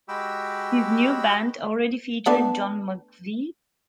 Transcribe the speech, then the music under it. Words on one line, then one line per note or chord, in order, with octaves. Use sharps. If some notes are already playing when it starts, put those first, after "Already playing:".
His new band already featured John McVie.
G#3 F#4 G4 G5 B5 E6
A3 B3 D4